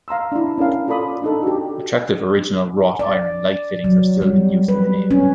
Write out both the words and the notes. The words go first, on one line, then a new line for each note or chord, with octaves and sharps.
Attractive original wrought iron light fittings are still in use in the nave.
F5 A#5 C6 E6
D4 E4
C#4 E4 A#4 F5
F4 A4 D5 B5 D#6
D4 D#4 A4
F#4 G4
D5
F#3
G3
B4
C#4